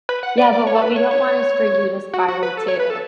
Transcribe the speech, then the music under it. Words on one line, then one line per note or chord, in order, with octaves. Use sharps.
yeah, but what we don't want is for you to spiral too.
B4
F#5
D5
D5
C#5
A4
B4
C#5
C#5
F#4
F#4
B4
A4
C#5
B4
A4